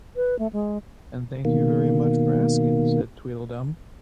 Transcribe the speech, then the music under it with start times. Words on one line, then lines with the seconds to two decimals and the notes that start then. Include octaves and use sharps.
And thank you very much for asking,’ said Tweedledum.
0.16 B4
0.39 A3
0.53 G#3
1.45 B2 D#3 A#3